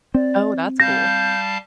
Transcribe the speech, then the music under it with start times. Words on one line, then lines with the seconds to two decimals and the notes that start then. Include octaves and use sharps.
Oh, that's cool.
0.15 C4 D5
0.80 G3 F5 A5 G6 A#6